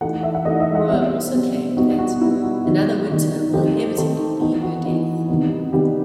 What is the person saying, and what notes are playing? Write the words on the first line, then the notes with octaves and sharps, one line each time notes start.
Moore also claimed that "another winter will inevitably be her death".
E3 A3 D#4 F#5
E5
F#5
E3 A3 D#4 D#5
E5
F#5
B2 G3 C4 E5
B2 G3 C4
B2 G3 B3 D#4 F#4
F#4
B2 G3 B3 D#4 E4
F#4
D#3 G3 D#4
D#3 G3 D#4
D#3 A3 C4 D#4 G4
D#3 A3 C4 D#4
E3 B3 D#4
F#4
E3 B3 D#4 F#4
C3 D#3 G3 B3 D#4
C3 D#3 G3 B3 D#4 G4